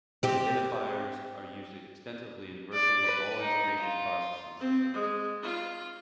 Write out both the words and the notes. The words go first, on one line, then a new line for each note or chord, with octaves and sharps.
Identifiers are used extensively in virtually all information processing systems.
C4 G4
D5
B4
D#4
F4
C4
G#3
F4